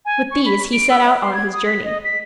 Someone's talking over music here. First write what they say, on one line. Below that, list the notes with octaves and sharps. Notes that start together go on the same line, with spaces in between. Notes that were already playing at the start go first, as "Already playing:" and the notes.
With these he set out on his journey.
G#5
C#6
B5
D7
E6
E5
C6
G#6
D#6
B6
D#5
B6